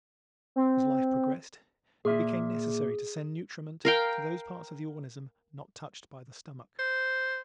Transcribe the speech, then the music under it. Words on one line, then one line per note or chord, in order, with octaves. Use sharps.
As life progressed it became necessary to send nutriment to those parts of the organism not touched by the stomach.
C4
A#2 G#4 E5
A#4 F5 G5
C5